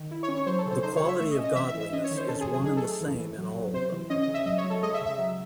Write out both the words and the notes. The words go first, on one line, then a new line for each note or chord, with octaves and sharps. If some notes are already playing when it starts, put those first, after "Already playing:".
The quality of godliness is one and the same in all of them.
Already playing: D#3
E4
C#5
C#4
C#5
F#3 C5
A4
C#3
C5
D#4 C5
C#5
F#3
E5
A3 E5
D#5
C#4
D#5
E3 E5
E5
E3
E5
C#4 D#5
C#5
D#3
C5
C#4 A4
G#4
F#3
G#4
D#4 G#4
A4
A3
E3
E3
F#3
F#3
C3 C5
E3
C#4 D#5
D#5
C#3
E5
F#3 D#5
C#5
F#3
A4
G#3 D#5
E5
C#3
E5
F#3